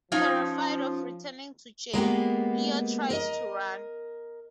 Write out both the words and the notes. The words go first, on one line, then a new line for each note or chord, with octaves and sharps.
Terrified of returning to jail, Leo tries to run.
F3 C#4 D#4 F4
G#3 A#3 B3 G4
A#4 D#5